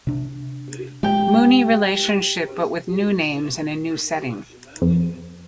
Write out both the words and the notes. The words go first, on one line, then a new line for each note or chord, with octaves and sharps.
Mooney relationship, but with new names and a new setting.
C3 D4
G#3 G4 G5
F2